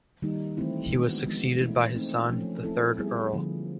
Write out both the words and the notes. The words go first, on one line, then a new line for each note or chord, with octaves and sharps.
He was succeeded by his son, the third Earl.
D#3 G3 A#3 D#4
E3 A3 C4 E4
D#3 G#3 B3 D4 F#4
F3 G#3 B3
E3 A3 C#4 E4
A3 C4 D#4
F3 A3 C#4
A3 C4 E4 A4
G3 B3 E4 G#4
D3 F3 A#3